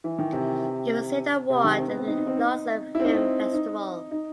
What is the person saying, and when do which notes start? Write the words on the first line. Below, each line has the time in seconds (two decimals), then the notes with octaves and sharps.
It received an award at the Lausanne Film Festival.
0.04 E3
0.18 D#3
0.33 C3
1.50 C3
1.64 D#3
1.78 C4
1.88 B3
1.97 C4
2.07 D#4
2.17 D#4
2.27 C4
2.36 D#4
2.95 E4
3.00 C4
3.04 D#4
3.14 C4
3.53 D#4
4.11 D#4